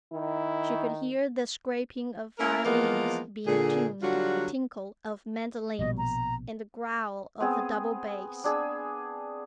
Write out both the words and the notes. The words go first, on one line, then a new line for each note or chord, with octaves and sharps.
She could hear the scraping of violins being tuned, the tinkle of mandolins, and the growl of a double bass.
D#3 E4
A#3 C#4 E4 A#4
E3 F3 G#3 A#3 B3 A#4
A#2 D3 G#4
D3 F#3 G3 F4 F#4
A#1 B2 D#5
A#5
B3 C4 G#4 D#6
D4 G#4 E6